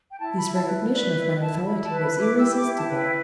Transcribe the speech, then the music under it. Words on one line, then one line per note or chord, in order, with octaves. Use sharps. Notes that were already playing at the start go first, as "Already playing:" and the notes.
This recognition of my authority was irresistible.
G5
E4 A5
B5
E4
A5
B4
E5
B4 D5
E4 E5
E4 A5
E4 B5
A5
B4
B5
E4 B5
D6
G4 E6
D6
E4
A5
B4
G5